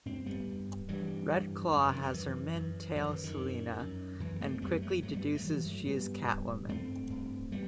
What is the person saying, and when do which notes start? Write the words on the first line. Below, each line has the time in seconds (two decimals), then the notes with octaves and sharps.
Red Claw has her men tail Selina and quickly deduces she is Catwoman.
0.06 G2 A3 C4
0.26 G3 B3
0.47 G2
0.89 G2 E3 G3
1.30 G2
1.72 F#2
1.82 E3
1.92 D#3
2.02 D#3
2.12 F#2 E3
2.55 F#2
2.96 F#2 D#3 F#3
3.09 E3
3.24 D#3
3.37 F#2
3.79 F#2
4.20 F#2 E3
4.41 A3 C4
4.61 F#2 G3 B3
4.82 F#3 A3
5.02 G2 F#3 A3
5.13 G3 B3
5.35 F#3 A3
5.44 G2 E3 G3
5.66 F#3 A3
5.85 G2 G3 B3
6.27 G2
6.68 G2 A3 C4
7.10 G2
7.52 G3 B3